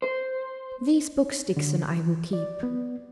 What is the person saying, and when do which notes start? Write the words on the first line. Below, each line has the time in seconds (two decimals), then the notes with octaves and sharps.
'These books, Dixon, I will keep.
0.02 C5
1.57 D3
1.97 E3
2.33 D5
2.63 B3